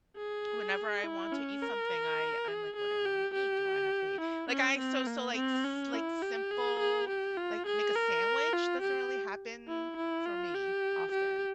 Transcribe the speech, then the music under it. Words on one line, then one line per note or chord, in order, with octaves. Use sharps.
whenever I want to eat something, I I'm like, "What do I wanna eat? Do I have to eat?" Like I So so, like, s like, simple like, make a sandwich doesn't really happen for me often,
G#4
E4
C#4
A#4
G#4
G#4
G4
G4
E4
C#4
C4
A#3
C4
C#4
E4
G4
G#4
G#4
G4
F4
G#4
A#4
F4
G4
E4
E4
F4
G4
G4